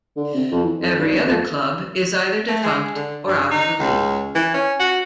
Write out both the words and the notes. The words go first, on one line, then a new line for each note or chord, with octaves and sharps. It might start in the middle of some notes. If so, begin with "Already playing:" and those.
Every other club is either defunct or out of the League.
D3
C3
F2
E3
F2
G2
G1
F2
A3
G#3
D3
G2
D#4
C#2
E3
C#4
F#4